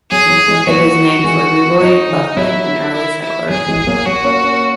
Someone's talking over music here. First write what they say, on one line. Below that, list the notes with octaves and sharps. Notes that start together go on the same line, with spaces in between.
It is named for Leroy Buffman, an early settler.
F#3 G#4
E3
F#3
E3 G#3
F#3 A#3 F#4
E3 G#3
F#3 D#4
E3
F#3 E4
E4
E4
F#3 G#4
E3 G#3
F#3 A#3
F#3 F#4
A#3 C#4
A#3 C#4